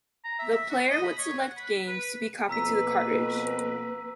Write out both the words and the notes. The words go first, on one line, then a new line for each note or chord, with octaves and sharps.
The player would select games to be copied to the cartridge.
A#5
E5
E5
F#4
D#5
B5
C#5
F#5
B5
B4
F2 B2 A#3 B4 A#5 E6 B6